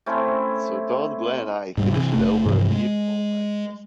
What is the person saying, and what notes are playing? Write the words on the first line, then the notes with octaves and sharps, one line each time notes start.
So Don, Glenn and I finished it over a few all night sessions.
A3 C4 C#4 E4
G#2 G3
C3 E3
F#1 A3
G2 C3 E3 F3
G#3